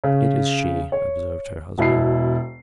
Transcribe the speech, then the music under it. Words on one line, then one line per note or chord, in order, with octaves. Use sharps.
"It is she," observed her husband.
C#3
C#5
E1 B2 E4 B5 C7